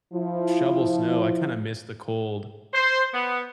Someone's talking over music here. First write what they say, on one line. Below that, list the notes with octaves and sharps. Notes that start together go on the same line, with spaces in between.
shovel snow, I kinda miss the cold.
F3 E4
C5
B3